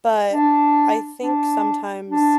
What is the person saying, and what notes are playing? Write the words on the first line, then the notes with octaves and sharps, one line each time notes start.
but, I think sometimes
D4
D4
D4